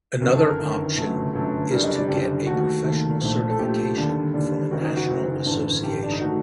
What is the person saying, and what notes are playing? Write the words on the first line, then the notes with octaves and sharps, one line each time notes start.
Another option is to get a professional certification from a national association.
G1 F#2 D#3 A#4
A4
A#4
G1 F#2 D#3
G1 F#2 F#3 A3
G1 F#2 F#3 A3 A4
F#1 F#2 D3 G3 A#4
D#5
D5
F#1 F#2 D3 G3 G4
D#2 D#3 A3 F#4
D#2 D#3 A3
A#1 A#2 A3
A4
A#1 A#2 A3 G4
D#2 D3 G3
D#2 D3 G3
F#1 F#2 D#3 F#4
D#4
F#4
F#1 F#2 D#3
A1 G2 D3
A1 G2 D3 G4
D4
D#4
D#3 A3 F#4